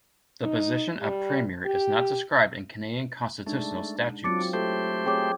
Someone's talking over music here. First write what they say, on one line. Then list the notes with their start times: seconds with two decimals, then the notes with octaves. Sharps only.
The position of premier is not described in Canadian constitutional statutes.
0.44 D#4
1.00 G3
1.65 G4
3.47 G#3 A3 D4 D#4
4.24 F#3 C4 D4 F4 D6 A6 C#7
4.53 A3 G4 A4 C5
5.06 C4 G#4 C#5 G5 D6 G6